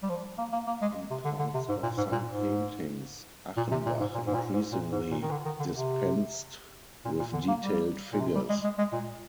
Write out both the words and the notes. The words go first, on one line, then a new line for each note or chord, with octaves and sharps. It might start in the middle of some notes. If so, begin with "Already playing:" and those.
In parts of some paintings, Achenbach increasingly dispensed with detailed figures.
G3
F3
A#3
A#3
A#3
G#3
C3
D3
D3
C3
G#2
A#2
G#2
A#2
G#2
A#2
C3
A#2
G#2
A#2
G#2
A#2
G#2
A#2
G#2
A#2
D#3
D3
D#3
D3
C3
A#2
A#2
D3
A#3
G3
A#2
C3
G3
G#3
G#3
G#3
A#2